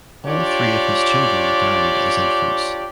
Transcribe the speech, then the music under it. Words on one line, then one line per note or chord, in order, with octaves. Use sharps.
All three of his children died as infants.
D4 F4 G4 C#5 D5